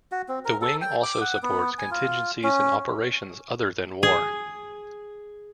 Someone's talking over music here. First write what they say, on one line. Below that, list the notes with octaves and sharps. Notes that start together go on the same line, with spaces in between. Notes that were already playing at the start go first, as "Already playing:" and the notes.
The wing also supports contingencies and operations other than war.
F#4
C4
A#4
A4
G5
D6
F#5
B3
G#5
F4
C#4
G#4